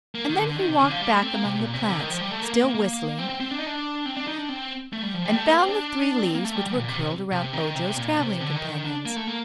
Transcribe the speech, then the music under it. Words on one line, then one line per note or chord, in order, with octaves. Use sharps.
And then he walked back among the plants, still whistling, and found the three leaves which were curled around Ojo's traveling companions.
A#3
D#3
D3
D3
D#3
C3
D3
F3
G3
A3
C4
A#3
C3
A#2
C3
D3
D#3
F3
G3
A3
A#3
A#3
A#3
A#3
C4
C4
C4
D4
D#4
D4
C4
D4
D#4
D4
C4
A3
G3
F3
G3
A3
A#3
C4
D4
C4
A#3
A3
G3
G3
A#2
C3
C3
C3
D#3
C3
A#2
C3
D3
D#3
D#3
D4
A#3
A3
A#3